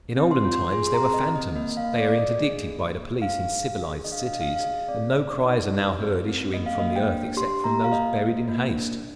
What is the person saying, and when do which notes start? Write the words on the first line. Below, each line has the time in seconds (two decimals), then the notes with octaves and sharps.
In olden times there were fantoms; they are interdicted by the police in civilized cities and no cries are now heard issuing from the earth except from those buried in haste.
0.17 C4
0.31 C6
0.45 F4
0.55 C6
0.73 G#4 C6
0.87 C6
0.94 A#5
1.00 C4
1.14 D#5
1.29 C4
1.36 D#5
1.56 A#3 D#5
1.71 D#5
1.77 F5
1.84 A#3
1.98 D5
2.09 F4 D5
2.18 D#5
2.39 G#4
2.66 A#3
2.94 A#3
3.22 D4 F5
3.49 G#4
3.77 G#4
4.05 D4 D#5
4.12 F5
4.20 D#5
4.26 F5
4.32 D4 D#5
4.41 F5
4.49 D#5
4.56 F5
4.60 G#4 D#5
4.88 C4 D5
5.15 C4
5.43 D#4
5.70 G4
5.99 C4
6.26 C4
6.54 A#3 D#5
6.66 F5
6.79 A#3 D#5
6.96 G5
7.10 D4
7.37 G4 C6
7.64 A#3 A#5
7.84 F5
7.92 A#3 D#5
8.20 A#3
8.48 A#3
8.75 D4